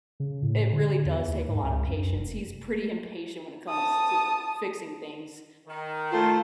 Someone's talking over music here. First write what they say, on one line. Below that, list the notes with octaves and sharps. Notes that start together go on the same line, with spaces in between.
it really does take a lotta patience. He's pretty impatient when it comes to fixing things,
C#3
A2
D3
E2
D#2
G#2
C#2
F#2
F1
A5 D#6
D#3
A3 F4 A4 C5